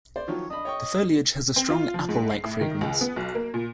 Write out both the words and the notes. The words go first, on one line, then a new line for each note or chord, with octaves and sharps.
The foliage has a strong apple-like fragrance.
C5 D5
D#3 F3 F#3 C#5
D4 D#5 B5
C#5 G5 C#6
C4
F4
F3
G#2
C7
A2
D#3
C#2
B3
B1
A#3
A#2